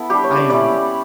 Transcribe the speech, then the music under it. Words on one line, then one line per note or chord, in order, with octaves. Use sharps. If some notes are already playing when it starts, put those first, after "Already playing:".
I am
Already playing: B3 E4 A4 B4
G3 D4 G4
C#5
D5
G3 C#4 E4 D5